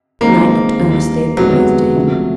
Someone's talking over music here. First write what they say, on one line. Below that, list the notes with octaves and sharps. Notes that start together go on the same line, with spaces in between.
The knight looked earnestly upon his dame.
D#3 G#3 A#3 C4 D#4
D#2 D#3 G3
F2 C3 D#3 F#3 G#3 B3
C3 F3 A3